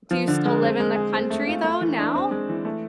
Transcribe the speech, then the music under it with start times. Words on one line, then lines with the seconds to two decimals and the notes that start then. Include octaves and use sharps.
Do you still live in the country though, now?
0.11 F3
0.28 D3
0.45 G#3
0.63 C4
0.80 G#3
0.96 G#4
1.13 C4
1.30 A3
1.47 F4
1.64 A3
1.81 E3
1.98 D4
2.15 C4
2.31 G#3
2.49 E3
2.65 A3